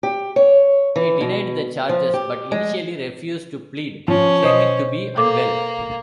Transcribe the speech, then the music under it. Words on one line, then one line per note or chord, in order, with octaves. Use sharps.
He denied the charges but initially refused to plead, claiming to be unwell.
G4
C#5
E3
B2
F3
G4
G#3
F3 C#4
B2 C5 D#5 D#6
A#3 A4 D6